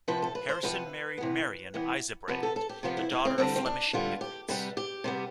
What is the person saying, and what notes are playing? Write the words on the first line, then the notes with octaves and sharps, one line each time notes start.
Harrison married Marion Isebrand, the daughter of Flemish immigrants.
C3 F3 B3 B4
A4
B4
C5
C3 F3 B3 B4
C3 E3 B3
C3 E3 B3
C3 F3 B3 B4
A4
A4
G4
C3 F3 B3 F4
E4
E4
C4
D3 G3 B3 C4
C4
D4
D3 G3 B3 F4
G4
C3 G3 B3 B4
G4
C3 G3 B3